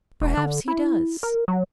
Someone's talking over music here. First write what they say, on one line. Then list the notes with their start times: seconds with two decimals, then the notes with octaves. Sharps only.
Perhaps he does.
0.22 E1
0.37 D3
0.68 E4
1.23 A#4
1.48 F#3